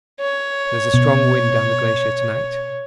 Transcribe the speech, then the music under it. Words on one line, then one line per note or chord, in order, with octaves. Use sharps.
There is a strong wind down the glacier to-night.
C#5
B2